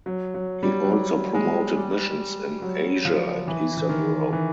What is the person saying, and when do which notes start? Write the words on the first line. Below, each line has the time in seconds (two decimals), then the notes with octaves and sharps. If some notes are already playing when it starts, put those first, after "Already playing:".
He also promoted missions in Asia and Eastern Europe.
0.06 F#3
0.34 F#3
0.63 G3
0.84 F#3
0.91 G3
1.34 G#3
1.77 G3
2.62 F#3
3.05 F3
3.48 E3
3.77 E3
3.89 D#3
4.33 E3